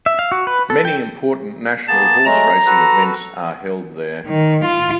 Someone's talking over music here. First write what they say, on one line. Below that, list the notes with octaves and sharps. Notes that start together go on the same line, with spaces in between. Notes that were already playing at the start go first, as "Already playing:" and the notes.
Many important national horse racing events are held there.
E5
F5
F#4
B4
A4
G5
A#3 B3 G#4 A5
F#3 G#3 A3 A#5
F#4 A4 B4
D#3
F4